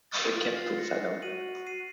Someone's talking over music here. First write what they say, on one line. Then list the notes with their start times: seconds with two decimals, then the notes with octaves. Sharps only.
A capital fellow!
0.11 F6 A6
0.34 F4 F6 A6
0.56 A6 C7
0.78 A#6 C#7
1.22 F#4 D#7 F#7
1.67 C7 D#7